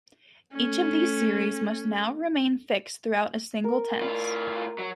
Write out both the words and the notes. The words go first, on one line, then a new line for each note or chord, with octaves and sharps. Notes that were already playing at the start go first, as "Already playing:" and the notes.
Each of these series must now remain fixed throughout a single tense.
A3 C#4
A#4
A2 F4
F#3